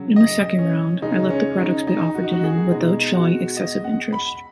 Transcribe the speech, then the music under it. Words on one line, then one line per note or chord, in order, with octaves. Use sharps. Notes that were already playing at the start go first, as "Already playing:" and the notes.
In the second round, I let the products be offered to him without showing excessive interest.
Already playing: C#3 F#3
D#5
C#4
C#3 G#3 D#4
C#4
D#4
D#4
F#4
D#4
F#4
G#4
B2 G#3 D#4
F#4
D#5
F#5
B5